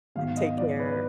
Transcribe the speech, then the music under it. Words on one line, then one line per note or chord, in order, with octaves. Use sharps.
Take care.
G#2 D#3 F#3 B3 F5
D#5
D5
B4